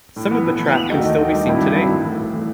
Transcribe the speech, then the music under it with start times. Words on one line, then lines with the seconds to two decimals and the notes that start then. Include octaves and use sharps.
Some of the track can still be seen today.
0.16 A2
0.31 E3 B3
0.45 A2
0.59 E3 B3
0.74 D#2
0.89 D#3 A3 D#4 F#4
1.03 D#2
1.18 D#3 A3 D#4 F#4
1.33 G2
1.46 D#3 F#3 C4 E4
1.61 G2
1.74 D#3 F#3 C4 E4
1.89 A2
2.04 E3 A3
2.18 A2
2.33 E3 A3